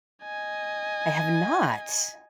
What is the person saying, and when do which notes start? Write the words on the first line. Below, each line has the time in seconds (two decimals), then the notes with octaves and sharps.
I have not.
0.23 D#5 G#5